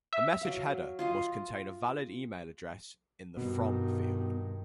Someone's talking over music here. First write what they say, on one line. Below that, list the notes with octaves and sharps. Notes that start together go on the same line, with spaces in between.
A message header must contain a valid email address in the From field.
E5
F#3 F5
F4 D#5 F5
G2 B2 D#3